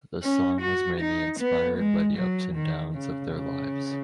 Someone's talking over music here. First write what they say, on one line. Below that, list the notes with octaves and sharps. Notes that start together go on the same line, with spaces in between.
The song was mainly inspired by the ups and downs of their lives.
C#4
F#4
D#4
B3
G#3
F#3
D#3
C#3
C#3